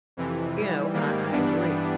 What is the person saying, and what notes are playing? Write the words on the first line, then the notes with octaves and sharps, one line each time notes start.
you know, I I agree,
F2 C3 E3
G#2 E3 G3
G#2 D#3 G3 A#3
G2 E3 G3 B3 D4